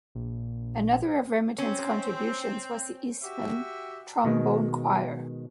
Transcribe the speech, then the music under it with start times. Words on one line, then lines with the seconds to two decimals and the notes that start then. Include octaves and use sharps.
Another of Remington's contributions was the Eastman Trombone Choir.
0.15 A#1
1.58 C4 C#4
3.23 F#4 G4 E5
4.24 B2 D#3 G#3